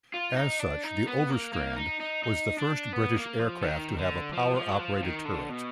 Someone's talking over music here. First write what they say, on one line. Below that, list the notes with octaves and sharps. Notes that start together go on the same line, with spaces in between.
As such the Overstrand was the first British aircraft to have a power-operated turret.
F4
D#4
D4
D#4
B3
A#3
A#3
D#4
D#4
D#4
D4
B3
A#3
F3
D#3
D3
F3
F3
F#3
F3
D#3
D3
B2